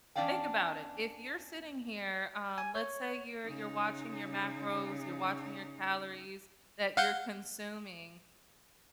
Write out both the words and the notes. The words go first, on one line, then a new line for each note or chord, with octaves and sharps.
Think about it. If you're sitting here, um, let's say you're you're watching your macros, you're watching your calories that you're consuming.
E2 C#4 D4 D5 F5 G5
G#5
C#5
C#3 D#4
F5 F#5 G6